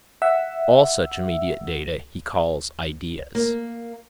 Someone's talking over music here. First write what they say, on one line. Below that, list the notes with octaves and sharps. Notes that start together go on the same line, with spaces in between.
All such immediate data he calls 'ideas'.
E5 F#5 E6
A#3